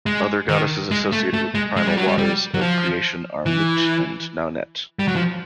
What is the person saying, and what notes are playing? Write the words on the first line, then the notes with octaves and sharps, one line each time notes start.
Other goddesses associated with the primal waters of creation are Mut and Naunet.
G#3
D#3
G#3
A3
A3
G#3
G#3
G3
F#3
G3
G3
F#3
F3
E3
G3
F#3
F3